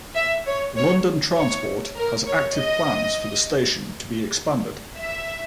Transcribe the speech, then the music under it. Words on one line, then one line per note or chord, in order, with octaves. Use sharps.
London Transport has active plans for the station to be expanded.
E5
C#5
C#5
C#5
A#4
C#5
D#5
E5